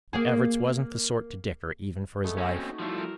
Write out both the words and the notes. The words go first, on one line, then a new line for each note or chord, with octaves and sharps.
But Everts wasn't the sort to dicker even for his life.
A#3 G#4
G#3 A3 B3
C4 C#4
A#3 F#4
D#4 A5 C#6
F3 G3 A3 E4 F#4 C#5 D5 E5
A#4